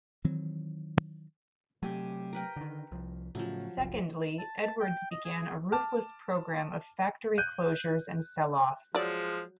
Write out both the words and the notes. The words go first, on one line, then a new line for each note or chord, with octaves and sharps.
Secondly, Edwardes began a ruthless programme of factory closures and sell-offs.
D#3 E3 F#3 C4
C3 F#3 A3 G4 G#5
A#4 B4 G5
D3 D#3
C2 F3
A2 C#3 F3 F#3
F1 C2
A5
A5
G5
D#5
G#4
A5 D6 F6
F#6 G6 D#7
F3 F#3 G#3 D5